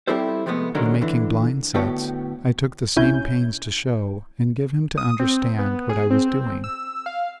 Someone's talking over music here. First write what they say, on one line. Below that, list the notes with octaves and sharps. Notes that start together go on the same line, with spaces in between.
When making blind sets, I took the same pains to show and give him to understand what I was doing.
G3 C4 E4 G4 A4 C5
C3 F3 G#3 A3 B3
D3 D#3 F#3 G#3 C#4 A#4
D3 E3
A2 D3 B3 F#4 G4 C#5
B1 C#4 E4 G#5 G6
D#6
C4
B3
G#4
C4
E6
F5